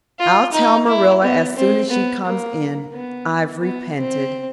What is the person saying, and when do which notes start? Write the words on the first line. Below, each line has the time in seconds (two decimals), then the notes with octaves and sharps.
"I'll tell Marilla as soon as she comes in I've repented."
0.19 F4
0.53 D#4
0.88 E4
1.22 B3
1.56 C4
1.90 B3
2.25 A#3
2.93 B3
3.61 B3
3.96 C4